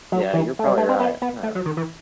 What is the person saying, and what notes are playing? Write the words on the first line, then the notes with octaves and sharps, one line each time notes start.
Yeah. You're probably right. Um,
F#3
E3
A3
G3
A3
C4
B3
B3
A3
F#3
D#3
E3